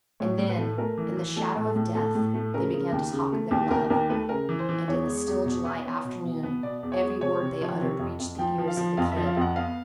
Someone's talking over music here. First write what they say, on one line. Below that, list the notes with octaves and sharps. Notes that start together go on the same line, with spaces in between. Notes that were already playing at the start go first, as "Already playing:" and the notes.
And then, in the shadow of death, they began to talk of their love; and in the still July afternoon every word they uttered reached the ears of the Kid.
A2 C#5
A2
B4
A3
A3 A#4
E3
E3
A3 A4
A2
A4
A2
A3 A4
A2
A3
C#3 A#4
C#3
D#2
C#3
A3
D#2
D#2 A#4
D#2 A#4
A3 B4
C#3 A#4
E3
C5
E3
E2 C#5
G#3
E2
B2
B3
B3
B2
B2
B3
B2 D5
E2
C#5
G#3
C3 C#5
C3
F3
C3
F2
F2
F3 G5
F3
F5
F3
F2 F5
F3 E5
F5
F2 F#5
B3 F5